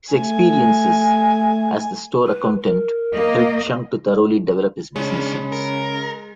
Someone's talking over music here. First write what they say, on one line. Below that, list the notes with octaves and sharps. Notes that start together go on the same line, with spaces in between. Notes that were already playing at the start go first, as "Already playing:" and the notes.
His experiences as the store accountant helped Chung to thoroughly develop his business sense.
A3 G#5
B4
A#4
A#3 D#5
C#3 G#3 C#4 D4 B5
A#4